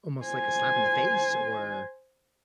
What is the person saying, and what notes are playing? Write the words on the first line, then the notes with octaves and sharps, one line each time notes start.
almost like a slap in the face or,
C5 G#5